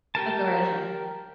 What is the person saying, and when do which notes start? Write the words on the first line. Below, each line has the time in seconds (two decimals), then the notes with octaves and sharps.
Oh, go right ahead.
0.15 G4 A#4 A5